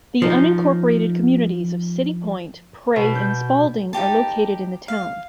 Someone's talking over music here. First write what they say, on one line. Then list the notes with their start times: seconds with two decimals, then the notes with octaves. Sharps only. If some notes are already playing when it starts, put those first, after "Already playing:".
The unincorporated communities of City Point, Pray, and Spaulding are located in the town.
0.22 F3 D#4
2.96 B2
3.15 G6
3.93 D#4 E4 G4 A5
4.88 F5